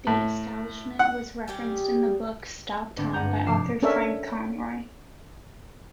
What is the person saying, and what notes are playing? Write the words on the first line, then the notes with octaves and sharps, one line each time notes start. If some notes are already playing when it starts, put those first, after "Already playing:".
The Establishment was referenced in the book "Stop-Time" by author Frank Conroy.
A2
F#5
G3 G4 G#4
G#2 D3 B3 C4 D4
G2 F#5 G#5 A#5 G6
G#2 C3 F3 D6 C7 E7
C#4 D4 A4 A#4 C#5 E5